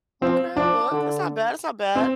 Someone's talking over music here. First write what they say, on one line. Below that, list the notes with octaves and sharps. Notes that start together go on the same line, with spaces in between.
Okay, a book, that's not bad, that's not bad.
F3 C4
F3 D4
D3
C4